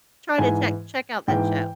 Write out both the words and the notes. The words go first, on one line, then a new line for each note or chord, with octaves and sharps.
try to che check out that show.
G#2 E3 G#5
G#2 E3 G5